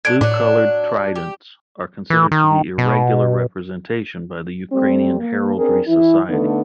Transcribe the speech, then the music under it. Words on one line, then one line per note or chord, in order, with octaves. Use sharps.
Blue colored tridents are considered to be irregular representation by the Ukrainian Heraldry Society.
A2 D4 G#6 D7
A2 F#3 D4
G4
E3
D#3
B2
G3 A3 C4
A#3
C4 D4 G#4 A#4
E3 E4
D3 A3 B3 D#4